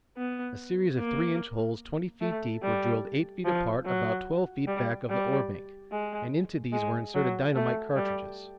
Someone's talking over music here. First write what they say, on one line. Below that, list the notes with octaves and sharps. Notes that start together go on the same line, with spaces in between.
A series of three-inch holes twenty feet deep were drilled eight feet apart, about twelve feet back of the ore-bank, and into these were inserted dynamite cartridges.
B3
A#3
A3
G3
F3
F#3
G3
G3
G#3
G#3
F#3
A3
G3